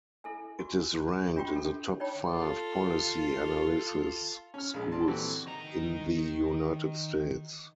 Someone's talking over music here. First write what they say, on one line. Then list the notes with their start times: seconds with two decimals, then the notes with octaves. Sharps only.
It is ranked in the top five policy analysis schools in the United States.
0.24 E4 A4 G#5
0.59 F#4 C#6
1.36 D4 F4 F#4 G5 C#6
1.53 D4 A4
2.00 D#4 C#5 G5 B5
2.31 F4 A4
4.54 C#4 F6
4.74 A#1 G#3
4.92 D5 A5 C6
5.08 A#2 E3 C4 F#4 G4 A4
5.46 D#3 A#5